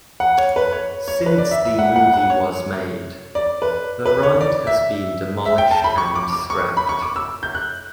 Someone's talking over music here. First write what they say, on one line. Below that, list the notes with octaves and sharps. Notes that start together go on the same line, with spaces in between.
Since the movie was made, the ride has been demolished and scrapped.
F#5
C#5
B4
C#5
C#5
B4
D5
E5
E5
F#5
F#5
F#5
C#5
D5
B4
B4
C#5
D5
E5
E5
G5
A5
B5
C#6
D6
D6
C#6
B5
C#6
D6
E6
G6
F#6